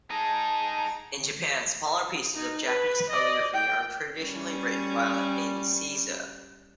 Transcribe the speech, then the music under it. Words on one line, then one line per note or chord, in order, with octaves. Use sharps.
In Japan, smaller pieces of Japanese calligraphy are traditionally written while in seiza.
D#4 G#4 A5 A#5
D#4
B4
D5 D#5
G5
G3 C#4